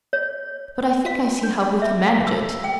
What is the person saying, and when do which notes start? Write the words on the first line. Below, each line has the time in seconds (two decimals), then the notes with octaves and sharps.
But I think I see how we can manage it.
0.13 C#5
1.06 F5
1.43 D4
1.82 E5
2.07 F5
2.27 E6
2.64 G5